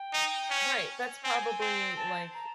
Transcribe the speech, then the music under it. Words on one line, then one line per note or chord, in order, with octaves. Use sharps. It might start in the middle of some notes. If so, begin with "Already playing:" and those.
Right, that's probably, like,
Already playing: G5
D#4
C#4
C4 G#5
C4
A5
A#5